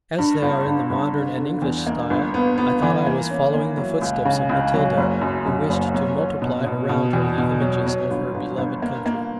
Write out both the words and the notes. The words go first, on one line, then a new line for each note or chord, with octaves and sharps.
As they are in the modern and English style, I thought I was following the footsteps of Matilda, who wished to multiply around her the images of her beloved country.
G2
G1
G2
G1
D3
D3
E2
A#3
G1
B3
B3
E3
A#3
C#4
A#3
F#3
C#2
C#3
C#2
F#3
F#1
F#2
F#2
F#1
F#3
C#4
B2
B2
B2
E2
B2
F#3
F#3
G1
G1
G1
A#3
A#3